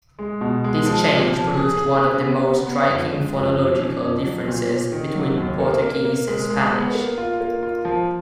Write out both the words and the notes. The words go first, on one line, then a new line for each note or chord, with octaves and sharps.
This change produced one of the most striking phonological differences between Portuguese and Spanish.
G#3
B2
G#3
F3
A#2
F3
G#4
G#4
C#4
B3
B3
B3
F2
G#3
F2
F2
C#4
F2
F#3
A#2
A#2
D#3
F#3
D#2
A#3
A#3
A#3
G#3
G#3
B3
A#3
F4
A#3
F4
F3